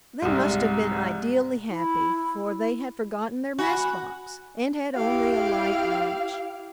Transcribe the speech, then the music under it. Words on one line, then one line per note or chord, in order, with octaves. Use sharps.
They must have been ideally happy, for they had forgotten their mess-box, and had only a light lunch.
C2 G#2
E4
F#4 G#5 B5
E4 G4 F5